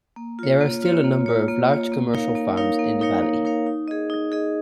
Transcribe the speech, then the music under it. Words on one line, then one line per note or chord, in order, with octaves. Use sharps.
There are still a number of large commercial farms in the valley.
A#3
F4 C#5
A#3
F4 C#5
A#3
F4 C#5
A#3
F4 C#5
A#3
D#4 A#4 C#5 F5
A#3
D#4 A#4 C#5 F5
A#3
D#4 A#4 C#5 F5
A#3
D#4 A#4 C#5 F5
D#4
G#4 D#5
D#4
G#4 D#5